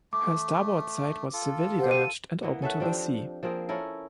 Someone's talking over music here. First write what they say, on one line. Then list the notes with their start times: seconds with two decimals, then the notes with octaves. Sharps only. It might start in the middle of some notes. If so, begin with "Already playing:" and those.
Her starboard side was severely damaged and open to the sea.
0.13 A3 D6
1.33 F4 A4
1.77 G4 C5 F#5
1.91 D#7
2.43 E3 A#3 B3
2.62 C#4 A4 E5 F#5
2.80 F3 C4 D4 G4
3.43 F3 A#3 C4 G#4
3.69 C#4 E4 A4 A#4